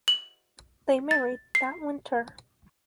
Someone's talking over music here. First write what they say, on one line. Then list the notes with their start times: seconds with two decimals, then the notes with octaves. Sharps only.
They married that winter.
0.08 F#7
1.11 A6
1.55 C7